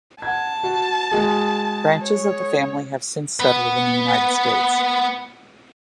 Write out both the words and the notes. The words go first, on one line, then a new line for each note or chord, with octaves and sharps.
Branches of the family have since settled in the United States.
F#5 A5 G#6
F#4
G#3 F#4 G#4
C#5
B3 B4